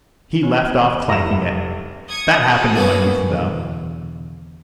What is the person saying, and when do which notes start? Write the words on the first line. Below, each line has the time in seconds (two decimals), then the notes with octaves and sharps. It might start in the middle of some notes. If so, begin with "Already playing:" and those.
He left off clanking it. That happened in my youth, though.
0.43 C#4
1.08 F1 E4 A#5 E7
2.08 D#6 G#6 C#7
2.45 F#4 G#4 A4
2.76 A#3 B3 C#4
3.29 E2 B2 D3